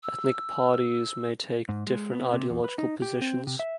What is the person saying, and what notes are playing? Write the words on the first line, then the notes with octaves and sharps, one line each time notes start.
Ethnic parties may take different ideological positions.
E6
G#2
G#3
B3
C3
E2
B4
D#4
G4
C4
C3
E5